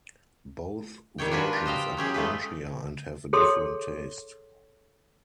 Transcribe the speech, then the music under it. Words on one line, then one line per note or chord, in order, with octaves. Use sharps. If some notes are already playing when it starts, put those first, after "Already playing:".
Both versions are crunchier and have a different taste.
D#3 G3 C#5 G5
D4 F4 F#4 B4 G#5
F4 G4
C5 D#5 F5 G5
F#3 C#4 G4 G#4
G#3 A3 F4 B4
G#4 A4 C#5 C6